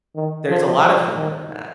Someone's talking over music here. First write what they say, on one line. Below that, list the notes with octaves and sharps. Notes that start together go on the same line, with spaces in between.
There's a lot of humor in that.
D#3
F3
F3
D#3